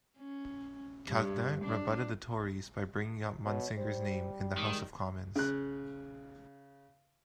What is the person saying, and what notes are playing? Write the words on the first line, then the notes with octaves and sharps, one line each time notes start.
Cardin rebutted the Tories by bringing up Munsinger's name in the House of Commons.
C#4
G2
D4
B2 C#5
G3 C5
D#3 G#3
C#3 F#6